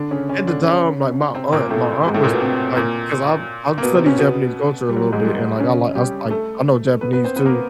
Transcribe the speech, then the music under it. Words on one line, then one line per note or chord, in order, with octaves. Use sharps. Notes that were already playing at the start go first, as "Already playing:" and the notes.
at the time, like, my aunt my aunt was, like 'cause I I studied Japanese culture a little bit, and like I li I like I know Japanese too,
Already playing: D3 D4
C#3 C#4
C#3 C#4
D3 D4
C#3 C#4
C3 C4
A#2 A#3
A2 A3
G#2 G#3
A2 A3
A#2 A#3
B2 B3
C3 C4
A#2 A#3
A#3
B2 B3
C3 C4
C#3 C#4
B2 B3
G3
F#3
G3
G#2 G#3
G3
C#3 C#4
G3 G4
A3 A4
B3 B4
B3 B4
C4 C5
B3 B4
A#3 A#4
B3